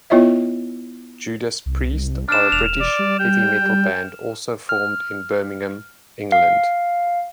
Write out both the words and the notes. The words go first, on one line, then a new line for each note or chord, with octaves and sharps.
Judas Priest are a British heavy metal band also formed in Birmingham, England.
B3 E4 F4 C#5 D#5 E5
C2
D4 F6 E7
E1 F7
D5
G3
G5
F6
F5